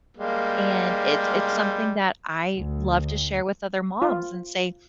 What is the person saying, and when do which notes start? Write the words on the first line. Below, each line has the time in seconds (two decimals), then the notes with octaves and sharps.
and it's it's something that I love to share with other moms and say,
0.17 G3 G#3 A#3
2.55 D2
4.02 F4